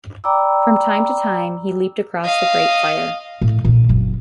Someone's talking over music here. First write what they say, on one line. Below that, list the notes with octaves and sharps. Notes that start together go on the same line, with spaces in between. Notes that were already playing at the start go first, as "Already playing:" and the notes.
From time to time he leaped across the great fire.
D5 G5 A#5 B5 D6 E6
D#5 F5
A2
A#2 D3
F#1